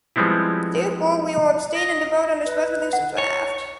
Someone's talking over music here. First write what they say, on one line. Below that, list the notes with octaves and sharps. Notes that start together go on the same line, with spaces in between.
Therefore, we will abstain in the vote on this resolution draft.
F3 G3 G#3 B3 C4 E4
D#5
B4
F#5
C#5